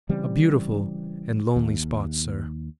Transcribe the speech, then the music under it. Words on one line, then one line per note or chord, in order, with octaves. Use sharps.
A beautiful and lonely spot, sir.
C#3 E3 G3 C4
D#2